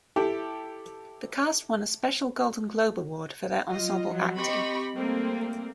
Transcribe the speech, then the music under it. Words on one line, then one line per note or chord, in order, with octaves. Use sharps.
The cast won a Special Golden Globe Award for their ensemble acting.
E4 G4 A4
F#3 F4 D#5
F3 F#3
C4 G4 D#5 B5 C#6
G3 A3 A#3 C4